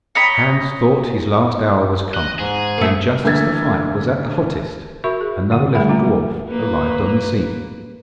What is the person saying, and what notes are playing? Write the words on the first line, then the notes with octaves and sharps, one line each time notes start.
Hans thought his last hour was come, when just as the fight was at the hottest another little dwarf arrived on the scene.
C#5 D#5 A#5 B5
D#5 F#6
G#2 G#4
A3 A#3
D2 A#3 E5 G#6 A6
F#4 A#4 E5 B5 C#6
G#4
D3 F#5
G3 A3 G#4 E5 F#5 B5
A#3 F4 E5 A#5
F#3
A#3 B4